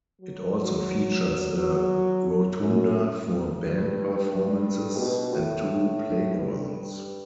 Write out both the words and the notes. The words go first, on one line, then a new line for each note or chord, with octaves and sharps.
It also features a rotunda for band performances, and two playgrounds.
F#3
F#3
F#2
G2
G2
B2
A2
G2